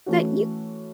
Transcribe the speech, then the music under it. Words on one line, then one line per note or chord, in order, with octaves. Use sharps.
that you
E3 A3 C#4 F#4